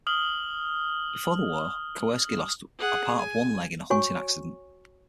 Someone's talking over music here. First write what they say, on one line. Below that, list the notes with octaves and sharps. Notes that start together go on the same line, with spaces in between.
Before the war Kowerski lost a part of one leg in a hunting accident.
D#6 F6 F#7 G7
G#4 F#5
G#5
F#4 C#5 G#5 C#6